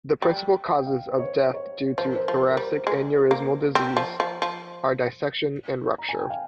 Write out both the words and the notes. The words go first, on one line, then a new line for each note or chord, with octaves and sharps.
The principal causes of death due to thoracic aneurysmal disease are dissection and rupture.
G3 G5
F5
G5
F5
C5
C#5
C5
C#5
F3 C5
A#4
C5
F3
C5
A#4
G3 C5
G#3
A#3
C4
F3
F3
F3
A#5
G#5
G5
F5